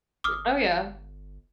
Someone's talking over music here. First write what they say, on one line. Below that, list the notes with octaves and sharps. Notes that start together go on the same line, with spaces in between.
M oh, yeah.
G1 D6 D#6 F6